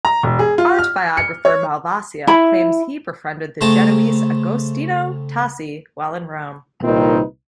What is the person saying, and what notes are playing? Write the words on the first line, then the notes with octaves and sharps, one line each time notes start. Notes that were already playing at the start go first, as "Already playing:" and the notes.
Art biographer Malvasia claims he befriended the Genoese Agostino Tassi while in Rome.
A#5
E1
G#4
F4
F6
C#7
C#5
E4 B5
C#3 A3 C4 A5 A#5 C6
C2 A#2 D#3 C4 D#4 B4